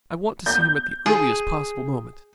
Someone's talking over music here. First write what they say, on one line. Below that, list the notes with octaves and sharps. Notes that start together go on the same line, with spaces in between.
I want to see him at the earliest possible moment.
G6
G#4